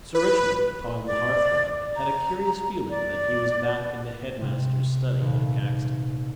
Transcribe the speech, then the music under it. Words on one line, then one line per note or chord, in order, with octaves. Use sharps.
Sir Richmond, upon the hearthrug, had a curious feeling that he was back in the head master's study at Caxton.
B4
D5
A#5
D5
C3
D#1